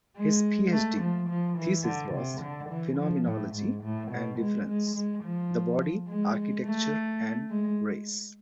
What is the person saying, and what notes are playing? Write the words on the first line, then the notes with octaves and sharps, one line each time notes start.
His PhD thesis was "Phenomenology and Difference: the Body, Architecture and Race".
G#3
A3
F3
F3
E3
D3
C3
D3
E3
F3
A2
G#2
A2
B2
G#3
G#3
G#3
F3
G#3
A3
G#3